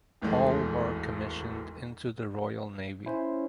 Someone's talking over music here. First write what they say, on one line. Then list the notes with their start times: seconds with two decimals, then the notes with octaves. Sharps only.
All were commissioned into the Royal Navy.
0.22 D1 G#1 E2 E3 G#3 A4
3.06 C#4 E4 C5